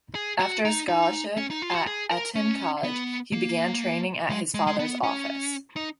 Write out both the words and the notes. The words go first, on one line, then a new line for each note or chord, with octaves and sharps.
After a scholarship at Eton College, he began training at his father's office.
G#4
F#4
D#4
D#4
C#4
D#4
F4
F#4
G#4
A#4
C#4
B3
A#3
G#3
G#3
G#3
B3
C#4
D#4